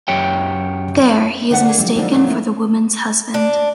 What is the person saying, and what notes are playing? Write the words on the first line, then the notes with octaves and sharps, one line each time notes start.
There, he is mistaken for the woman's husband.
F#2 G4 C#5 G5
D2 D3 G3 D4 F#5
A#3 G#4
C3 F3 F#3 G#3
F2 D3 F3 A#3 B3 D#4
F2 A#2 F#3
A3 A#3 E4
D4